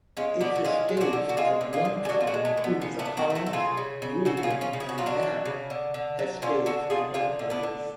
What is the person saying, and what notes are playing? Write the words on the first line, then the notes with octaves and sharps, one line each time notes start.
Its estates at one time included the Hollins, Gulden, and Knapp estates, among others.
G#3 C#4 F4
D3 B3 D4
F#4
G#3 C#4 F4
G#3
F4
D4 F#4
D3
F#4
G#3 F4 G#4
D3
F4 G#4
D3
G#4
D3 D4 F#4
F4
D4 F#4
G#3
A3
D3
B3
C#3 B3
B3 D4
A3
D4 F#4
A3
F#4 A4
A4
C#3 F4 G#4
C#3
C#3
C#3 F#4 A4
F#4
F4 G#4
C#3
C#4 F4
C#3
G#4
F#4
F#3 F4
D4 F#4
F#3
C#3
D3
D3
F#3
D3 C#4 F4
D3 F#4 A4
D3 F4 G#4
D3 F4 G#4
D3
B3 D4
D3